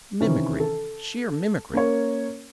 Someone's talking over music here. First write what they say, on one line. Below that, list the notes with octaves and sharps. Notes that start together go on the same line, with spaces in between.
Mimicry, sheer mimicry!
C3 D#3 E3 C#4
A4
A#3 C#4 A#4 C#5